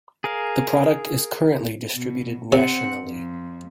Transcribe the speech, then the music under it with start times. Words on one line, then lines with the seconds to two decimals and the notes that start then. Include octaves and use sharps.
The product is currently distributed nationally.
0.24 G#4 A#4 F5
1.94 B2
2.52 C3 C4 F#5
3.05 F2